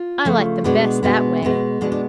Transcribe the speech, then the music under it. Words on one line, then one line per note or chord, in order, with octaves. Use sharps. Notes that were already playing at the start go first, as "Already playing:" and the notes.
I like them best that way.
Already playing: F4
C#3 F3 A3
B2 G#3 B3 D4
B2 G#3 B3
B2 G#3 B3
B2 G#3 B3 D4
D4